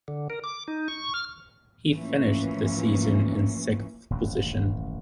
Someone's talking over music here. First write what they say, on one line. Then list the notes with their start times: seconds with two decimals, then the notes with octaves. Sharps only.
He finished the season in sixth position.
0.08 D3
0.30 A#4
0.44 D6
0.68 D#4
0.88 C#6
1.14 F6
1.92 A2 E3 F3 A#3 C#4
4.10 D#1 A1 F#2